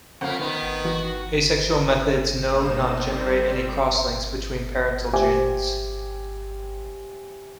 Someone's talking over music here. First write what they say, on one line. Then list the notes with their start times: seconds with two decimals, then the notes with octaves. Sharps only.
Asexual methods no not generate any cross links between parental genes.
0.21 F2 A#3 C5 F#5
0.40 D#3 B3
0.85 E3 F#4
2.47 G2 B2 A#3 D#4 E7
2.90 G3 C4
5.13 G4 C5 E5 G#5 D6